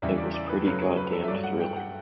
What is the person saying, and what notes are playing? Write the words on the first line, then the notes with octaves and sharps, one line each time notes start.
It was pretty goddamned thrilling.
E2 C#3 E3 G3 E5
D5
D5
B4
F#2 C#3 F#3 A3 B4
C#5
B4
A4
E5
G2 F#3 A3 D5
F#5
G5
F#5